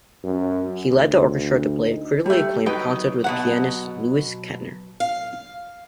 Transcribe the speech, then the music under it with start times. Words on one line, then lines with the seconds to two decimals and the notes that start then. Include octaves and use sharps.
He led the orchestra to play a critically acclaimed concert with pianist Louis Kentner.
0.24 F#2
0.93 D2
1.84 D#4
2.26 G3 A3
2.66 F#3 D#4 B4 G5
3.24 B2 F#3 F#5
5.00 F5